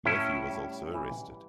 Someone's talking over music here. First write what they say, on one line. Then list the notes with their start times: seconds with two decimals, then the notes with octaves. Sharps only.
Murphy was also arrested.
0.05 A2 C#4 E4
0.50 G3
0.94 E3